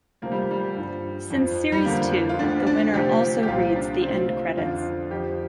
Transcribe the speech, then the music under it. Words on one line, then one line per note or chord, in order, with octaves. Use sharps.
Since series two, the winner also reads the end credits.
D2 C3 F3 A#3
G3
G3
G2 F3
F2 F3
G3
F2 D3 F3 A#3
F4
D2 D3 F3 D4
D4
D2 C3 F3 G4
G4
C2 A#2 F3 F4
D4
D2 C3 F3 C4
F4
F2 D3 F3 F4
D4
F4
F2 F3 G4